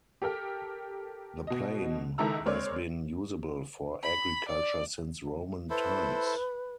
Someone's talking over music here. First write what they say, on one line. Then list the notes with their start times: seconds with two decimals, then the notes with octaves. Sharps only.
The plain has been usable for agriculture since Roman times.
0.22 G4 A4 A#4 G5
1.47 B2 D#5
2.18 C#2 D#3 E4 A4 A#5 E6
2.46 G#3 C4 A#4 C#5 D5
4.03 B5
4.48 D5
5.70 E4 A4 B4 C5